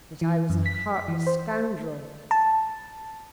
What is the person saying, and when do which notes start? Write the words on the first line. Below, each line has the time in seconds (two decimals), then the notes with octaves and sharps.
"That I was a heartless scoundrel."
0.21 E3
0.50 F#2
0.66 B6
1.08 E3
1.27 C5
2.31 A5